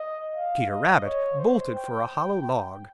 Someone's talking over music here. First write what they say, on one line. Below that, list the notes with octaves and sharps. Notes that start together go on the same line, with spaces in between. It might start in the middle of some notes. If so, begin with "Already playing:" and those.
Peter Rabbit bolted for a hollow log.
Already playing: D#5
F5
D#5
C#5
C5
G5